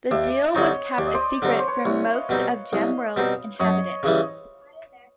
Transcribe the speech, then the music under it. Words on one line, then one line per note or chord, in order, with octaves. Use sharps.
This deal was kept a secret from most of Gemworld's inhabitants.
D#2 D5 E5
D3 G3 C4 D#4 C#5 D#5
D#2 D5
D#5
C5 D5
D3 G3 C4 D#4 D5
C#5
C5
B4 C#5
C2 B4 C#5
E5
D#5 F5
B2 G3 C4 D#4
C2 D#5 F5
B2 G3 C4 D#4
F#2 C#5 D#5
C#3 E3 G3 D#5